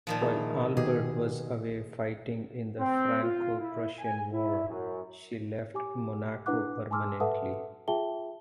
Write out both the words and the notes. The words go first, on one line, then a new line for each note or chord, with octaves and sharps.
While Albert was away fighting in the Franco-Prussian war, she left Monaco permanently.
A#2 D#3 F3
A#3 E4 G#4
B2 D#3 G4 G#4
C4
F4
E4
G#5
E4
F#2
G4 G#5 D6
D4 E4 B4 F#5 D6 F#6
G#5 A5 C6 D6 E6 F6
A4 B4 E5 F#5 A5 D#6
F4 G#4 E5 G5 A5 G7